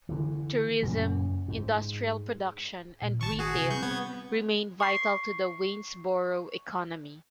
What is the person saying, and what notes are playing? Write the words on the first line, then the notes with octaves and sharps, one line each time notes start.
Tourism, industrial production, and retail remain vital to the Waynesboro economy.
D3 E3
F#2 A#2 C#3
G#2
A#2
G#1 A2 D#3 A5 C#6
F#4 G#4
C3
G3 C4 C#6 G6
B3 G#6
C#6 C7